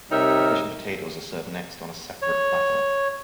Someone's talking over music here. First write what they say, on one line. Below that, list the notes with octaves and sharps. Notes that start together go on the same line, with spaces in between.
The fish and potatoes are served next on a separate platter.
C3 G3 D#4 A#4 C#5 E5
C#5